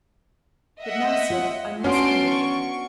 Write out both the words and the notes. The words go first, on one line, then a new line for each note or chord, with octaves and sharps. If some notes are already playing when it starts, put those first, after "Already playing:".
But now, sir, I must be moving.
D#5 E5 F#5
F4
B3 C#4 D4 F#4 A5 C6 D7
C#6